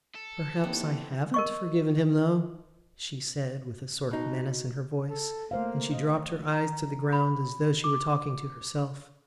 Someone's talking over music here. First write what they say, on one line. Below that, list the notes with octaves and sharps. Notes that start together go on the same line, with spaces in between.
"Perhaps I haven't forgiven him, though," she said, with a sort of menace in her voice, and she dropped her eyes to the ground as though she were talking to herself.
A4
D#2 E3 B3 C4
A#4 D#5 C#6
B2 D#4
A4
A3 A#3 C5 F5
D#5
A#5
B5
D6